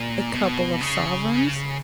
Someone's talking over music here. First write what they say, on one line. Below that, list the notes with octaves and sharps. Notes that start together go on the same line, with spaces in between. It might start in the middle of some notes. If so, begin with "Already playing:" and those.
'A couple of sovereigns.'
Already playing: A#2
B2
C#3